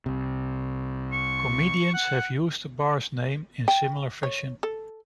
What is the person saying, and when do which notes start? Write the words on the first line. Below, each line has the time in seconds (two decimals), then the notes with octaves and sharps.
Comedians have used the bar's name in similar fashion.
0.06 C2 C3
1.12 C#6
1.94 F#5
3.68 G5
4.23 C#5
4.63 A4